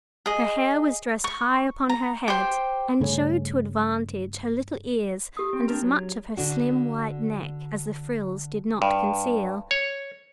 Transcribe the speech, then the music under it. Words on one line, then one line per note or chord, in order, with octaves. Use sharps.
Her hair was dressed high upon her head, and showed to advantage her little ears and as much of her slim white neck as the frills did not conceal.
G#4 D#5
C#6
A#5
G4 C5
G2 C#3 A3 C#4
G4 D#6
C4
C4 D4 A#4
F#3
D3 D4 F#4
G2
C#5